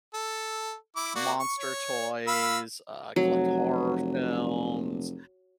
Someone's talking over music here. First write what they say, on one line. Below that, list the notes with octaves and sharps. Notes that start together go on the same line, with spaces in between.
monster toys, uh, I collect horror films,
A4
E4 D6
A#3 F#4 D5
C#6
C#5
F5 B5 E6
F1 F#3